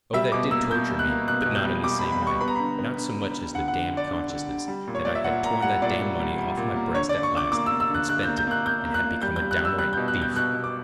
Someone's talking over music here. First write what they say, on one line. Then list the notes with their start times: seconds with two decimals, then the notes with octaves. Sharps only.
Oh, that did torture me, but not in the same way: not so much as the damned consciousness that I had torn that damned money off my breast at last and spent it, and had become a downright thief!
0.13 G3 E5
0.32 B2 D6
0.51 A#3 E6
0.70 A#3 G6
0.89 G3
0.99 F#6
1.08 A#3
1.28 B2 F#6
1.41 F#6
1.46 B2
1.55 G6
1.65 G3
1.83 G3 D6
1.99 B5
2.04 G3
2.12 B5
2.22 G3
2.27 C#6
2.41 B3 B5
2.48 A#5
2.56 D3 B5
2.79 B3
2.98 D3
3.17 D3
3.35 D3
3.54 D3 F#5
3.68 F#5
3.73 D3
3.92 D3 D5
4.11 D3
4.30 D3
4.50 D3
4.68 G3
4.87 A#2
4.95 C#5
5.05 A#2 D5
5.15 E5
5.24 A#2 F#5
5.44 A#2 A#5
5.62 G3 F#5
5.82 A#2 D5
6.01 G3
6.19 G3
6.38 G3
6.58 A#2
6.76 A#3
6.95 D3 C#5
7.09 D5
7.15 D3
7.23 C#6
7.33 D3 D6
7.52 A#3 D6
7.66 E6
7.71 A#3
7.80 E6
7.90 D3 F#6
8.08 D3 F#6
8.23 G6
8.28 A#3
8.38 G6
8.47 A#3 F#6
8.65 A#3 G6
8.85 A#3
8.94 F#6
9.04 A#3
9.22 G3 G6
9.36 G6
9.42 G3
9.51 F#6
9.60 G3 E6
9.78 G3 F#6
9.93 G6
9.97 B2
10.08 F#6
10.16 G3
10.22 G6
10.36 B2 F#6
10.54 B2
10.64 D6